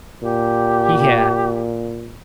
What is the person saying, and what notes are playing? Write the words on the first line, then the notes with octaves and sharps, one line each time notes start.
He had.
A#2 G4